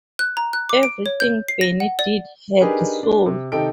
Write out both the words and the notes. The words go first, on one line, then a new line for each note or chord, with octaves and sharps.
Everything Bernie did had soul.
F#6
A#5
F#6
D6
D7
C#5
G6
C7
A#6
F#5
D5
D4 D#4 G4 G#4 A#4 B4
D4
C3
C3 D#3 D#4 A4 G5 D7